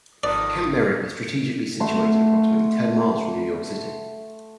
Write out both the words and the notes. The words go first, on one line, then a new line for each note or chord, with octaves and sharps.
Camp Merritt was strategically situated approximately ten miles from New York City.
G#1 F2 D#3 B4 D5 D#6
A3 F#4 C6